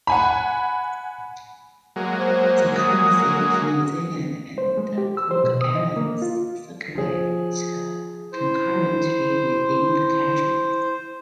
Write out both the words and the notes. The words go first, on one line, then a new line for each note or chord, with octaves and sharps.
The currency of New Zealand and the Cook Islands circulate concurrently within the country.
F#5 G#5 B5
F#3 G#3 A#3
C5
D#6
C5
G#3
G4
E6
C5
B2
D#6
D#5
A#3
F4
F3 G#4
E4 C5